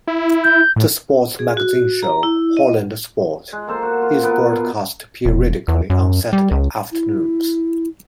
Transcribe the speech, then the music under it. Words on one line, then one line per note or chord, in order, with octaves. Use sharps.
The sports magazine show "Holland Sport" is broadcast periodically on Saturday afternoons.
E4
G6
A2
G#4
F#4
A#5
E4
D#5
G#3
A#3 A4 C5 C6
F#4
F4
B3 A#4 B4
B2
E1
E2
F#2
G3
C#2
E4